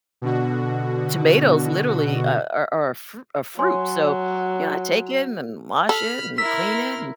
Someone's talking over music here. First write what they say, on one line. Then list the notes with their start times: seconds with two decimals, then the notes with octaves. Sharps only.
tomatoes literally, uh, are are a fru a fruit, so, you know, I take it and wash it and clean it and
0.22 B2 D3 F#4
3.59 F#3 C#5 G#5 C6
5.89 A4 B5 F6
6.38 E4 A#4 C6 E6 F6 B6